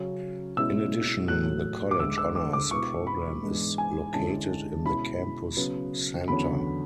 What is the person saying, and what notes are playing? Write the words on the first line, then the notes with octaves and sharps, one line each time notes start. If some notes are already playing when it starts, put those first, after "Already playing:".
In addition, the College Honors Program is located in the Campus Center.
Already playing: C#3 F#3 C#4
B2 G#3 C#4 E4 E6
A2 F#3 A3 F#6
D6
D2 D3 G#3 E6
E6
D6
D6
B2 G#3 B3 E4 C#6
B5
G#2 E3 G#3 B3 D4
G#5
D2 D3 G#3 C#4 E4 A5
B2 G#3 C#4 E4 B5
C#3 F#3 B3
E2 D3 F#3 C#4 B5